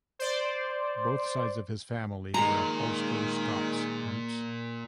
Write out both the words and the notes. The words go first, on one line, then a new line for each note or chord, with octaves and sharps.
Both sides of his family were of Ulster Scots roots.
C5 D5
A#2 D#3 G#3 A#5